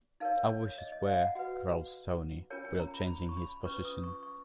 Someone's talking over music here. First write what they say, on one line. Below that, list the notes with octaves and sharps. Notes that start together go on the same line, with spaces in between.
"I wish it were," growls Tony, without changing his position.
D#4 A#4 C#5 F5
C#5
D#5
D#5
F5
F#5
F#4 B4 F#5
C#4 F4 A#4 C#5 G#5
G#5
A#5
B5
B5
C#6
B5
C#4 F4 B4 C#6
D#6
C#6
C#6